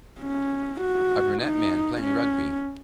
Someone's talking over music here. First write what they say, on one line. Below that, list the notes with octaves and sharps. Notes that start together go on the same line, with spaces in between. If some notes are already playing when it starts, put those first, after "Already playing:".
A brunette man playing rugby.
C#4
F#4
D#4
C#4